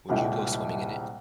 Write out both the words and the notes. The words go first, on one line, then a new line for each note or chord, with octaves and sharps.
would you go swimming in it?
D#1 C2 G#2 E4 G5